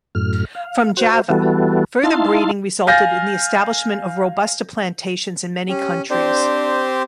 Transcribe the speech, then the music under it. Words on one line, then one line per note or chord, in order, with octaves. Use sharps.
From Java, further breeding resulted in the establishment of robusta plantations in many countries.
F#2 A2 F6
F5
F#4 C5
E3 G3 B3 F#4 A4
D#4 E4 F5 A5 C6
F5 G#5 F6 G6 A6 A#6
C#4 G4
C4 D4 G4 C5